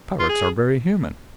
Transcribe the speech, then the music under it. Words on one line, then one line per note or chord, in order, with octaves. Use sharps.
Parrots are very human.
F4
G#4